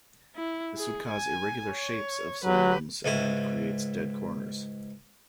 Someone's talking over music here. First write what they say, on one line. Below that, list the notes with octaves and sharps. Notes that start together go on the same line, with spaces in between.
This would cause irregular shapes of some rooms and creates dead corners.
E4
G#4
G#5
C#5
F#3 G4 B4
C#2 G#2 E4